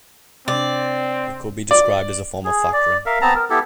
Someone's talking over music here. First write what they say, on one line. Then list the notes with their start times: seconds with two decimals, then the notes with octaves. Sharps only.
It could be described as a form of factoring.
0.48 C3 C4 D4 D5
1.71 D5
2.44 G#4
2.73 D5
3.06 A#4 E5 F5
3.21 B3 C4 A5 A#5
3.35 A#4
3.50 B3 E4 G4 A4